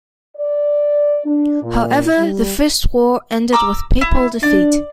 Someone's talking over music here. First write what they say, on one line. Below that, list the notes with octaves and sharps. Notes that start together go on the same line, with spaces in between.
However, the first war ended with Papal defeat.
D5
D4
A#2
G3
A#5 D6 E6
E4
D4 D5